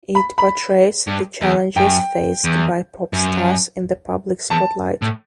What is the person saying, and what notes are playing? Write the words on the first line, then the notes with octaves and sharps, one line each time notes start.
It portrays the challenges faced by pop stars in the public spotlight.
B5
B5
G2
E2
F#2 G5
E2
F#2
E2 A5
A2